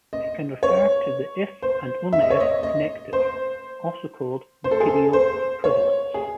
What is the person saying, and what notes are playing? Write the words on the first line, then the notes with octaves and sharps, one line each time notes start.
It can refer to the if and only if connective, also called material equivalence.
D#5
C#5
C5
E5
D#5
C#5
D#5
D#5
C5
C5
A4
G#4
A4
C5
C#5
G#4